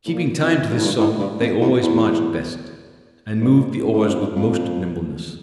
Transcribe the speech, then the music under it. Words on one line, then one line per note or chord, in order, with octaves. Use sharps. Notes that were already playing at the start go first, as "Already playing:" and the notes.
Keeping time to this song, they always marched best, and moved the oars with most nimbleness.
A2
A#2
F2
G2
A2
G2
A2
G2
F2
E2
E2
G2
F2
A2
G2
F2
G2
F2